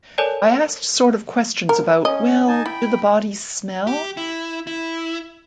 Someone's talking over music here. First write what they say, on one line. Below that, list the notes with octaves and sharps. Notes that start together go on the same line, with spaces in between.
I asked sort of questions about, 'Well, do the bodies smell?
A4 A#4 C#5 D5 G#5 A5
A#4
C#4 D#5
D#4 G#5 A5
E4 G5 B5
G4
E4
E4